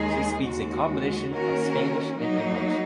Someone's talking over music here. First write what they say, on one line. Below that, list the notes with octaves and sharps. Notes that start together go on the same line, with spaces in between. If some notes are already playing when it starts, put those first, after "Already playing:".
She speaks a combination of Spanish and English.
Already playing: D#2 D#3 G#3 D#4 G#4
D#2 C#3 G#3 F#4
D#3 A#3 C#4 F#4 A#4
F#3 A#3 D#4